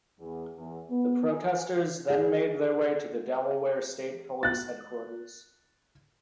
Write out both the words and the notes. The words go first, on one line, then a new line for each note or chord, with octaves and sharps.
The protesters then made their way to the Delaware State Police headquarters.
E2
E2
B3
G#5
G#4
F#6 A6